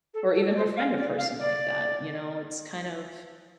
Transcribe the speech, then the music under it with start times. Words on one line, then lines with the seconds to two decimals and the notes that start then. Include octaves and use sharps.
or even befriend a person like that, you know, it's kind of
0.13 A4
0.35 A4
0.50 D5
0.55 C5
0.77 F5
0.97 D5
1.18 F5
1.39 D5